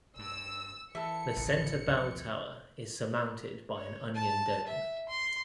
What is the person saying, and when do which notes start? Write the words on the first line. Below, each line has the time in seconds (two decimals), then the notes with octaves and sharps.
The center belltower is surmounted by an onion dome.
0.19 G2 E6
0.95 E3 A4 E5 C#7
1.37 D1 A1 C#3 E3
1.88 D#2 F3 C4
3.76 C#5
4.15 A5
4.67 E5
5.09 C6